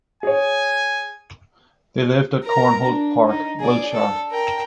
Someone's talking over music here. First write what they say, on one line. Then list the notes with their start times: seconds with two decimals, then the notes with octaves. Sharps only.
They lived at Conholt Park, Wiltshire.
0.23 G#4 C#5 G#5
2.44 A#4 A#5
2.87 D4
3.28 D#4
3.60 G#4 D5
3.93 A4
4.31 A#4 G5